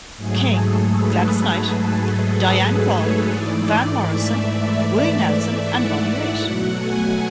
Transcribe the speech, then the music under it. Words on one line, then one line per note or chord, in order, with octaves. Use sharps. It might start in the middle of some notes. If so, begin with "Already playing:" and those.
King, Gladys Knight, Diana Krall, Van Morrison, Willie Nelson and Bonnie Raitt.
G#2 F#3 A3 G#4
A4
B4
A4
G#4
A4
C#5
G#2 E3 A3 D5
E5
D5
E5
F#5
E5
B2 F#3 A3 F#5
G#5